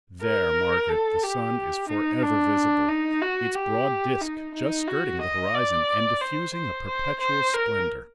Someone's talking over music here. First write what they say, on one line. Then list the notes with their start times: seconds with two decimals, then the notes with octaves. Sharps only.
There, Margaret, the sun is forever visible, its broad disk just skirting the horizon and diffusing a perpetual splendour.
0.22 A#4
0.89 A4
1.23 G4
1.89 D#4
2.22 D4
2.88 D#4
3.22 F#4
3.55 G4
4.22 D#4
4.54 D#4
4.88 F#4
5.21 D#5
5.54 D5
6.20 C5
6.54 C5
6.87 C5
7.20 C5
7.54 A#4